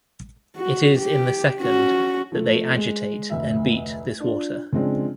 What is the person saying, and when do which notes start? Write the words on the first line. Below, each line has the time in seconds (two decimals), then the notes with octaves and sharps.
It is in the second that they agitate and beat this water.
0.57 F#4
0.99 G4
1.61 C#4 F#4
2.32 F3 A3
2.77 G#3
3.30 F1 D2 E5
4.20 D4 F4
4.73 C#3 F3 G#3 C4 D4